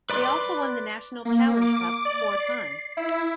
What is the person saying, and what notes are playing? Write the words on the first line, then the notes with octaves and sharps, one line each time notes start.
They also won the National Challenge Cup four times.
B4 D5 B5 C6 D6
A#3
D6
D5
C7
E4